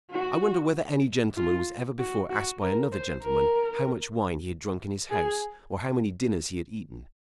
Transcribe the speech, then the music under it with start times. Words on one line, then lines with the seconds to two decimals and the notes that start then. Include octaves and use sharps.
I wonder whether any gentleman was ever before asked by another gentleman how much wine he had drank in his house, or how many dinners he had eaten.
0.12 F#4
1.37 F4
1.99 F#4
2.30 F#4
2.62 A#4
2.93 C5
3.24 A#4
5.11 G#4